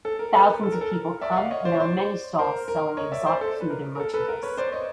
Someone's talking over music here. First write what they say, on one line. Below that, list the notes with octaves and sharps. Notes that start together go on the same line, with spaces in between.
Thousands of people come and there are many stalls selling exotic food and merchandise.
A4
A#4
A4 B4
A#4
A4
A#4
A4
A#4
D5 E5
F#5
D#5 F5
C#5 D#5
C5 D5
C#5
C5 D5
A#4 C5
A#4
C#5 D#5
D5 E5
C5 D5
A4
B4
A#4
A#4
A4
A4 B4
A#4
B4 C#5
C5 D5
C#5 D#5